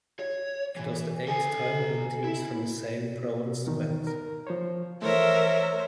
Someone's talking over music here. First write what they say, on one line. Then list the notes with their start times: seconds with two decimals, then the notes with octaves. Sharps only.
It was the eighth time when teams from the same province met.
0.19 C#5
0.76 E3
1.27 A4 G#5
2.24 E4
3.67 E2 B2 D#3
4.07 A#4
4.47 F3 C5 C#5
5.02 E3 A3 A#4 C5 C#5 E5